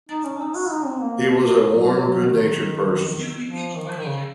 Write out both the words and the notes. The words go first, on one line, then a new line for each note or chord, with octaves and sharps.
He was a warm, good-natured person.
D#4
C#4
D#4
F#4
D#4
C4
A#3
F#3
F#3
D#3
F3
D#3
F3
D#3
C#3